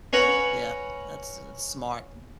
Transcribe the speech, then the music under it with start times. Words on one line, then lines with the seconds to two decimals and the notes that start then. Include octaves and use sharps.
Yeah, that's that's smart.
0.13 C#4 B4 C#5 F#5 A#5 B5